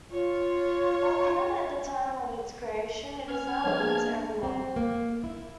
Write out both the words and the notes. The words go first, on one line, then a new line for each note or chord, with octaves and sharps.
While private at the time of its creation, it is now open to everyone.
F4 C#5
C#4 F6 G#6
F3 B3 D4 A#4 C#5
A#3 G#4 A5
C4
A#3
E4